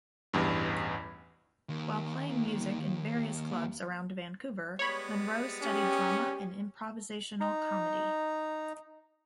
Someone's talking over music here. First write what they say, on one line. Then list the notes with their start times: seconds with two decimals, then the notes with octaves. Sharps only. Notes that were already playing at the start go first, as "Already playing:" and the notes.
While playing music in various clubs around Vancouver, Munro studied drama and improvisational comedy.
0.33 A1 E2 G2
1.69 D#2 D#3
4.79 G3 G#3 B3 C#5 B5
5.62 C#4 G4
7.41 D#4 A#5